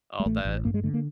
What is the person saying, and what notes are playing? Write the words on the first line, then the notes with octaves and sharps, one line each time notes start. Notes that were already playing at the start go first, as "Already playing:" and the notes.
all that,
G#3
A1 A3
A1
G2 A#3
G#3
D3 A3
A#3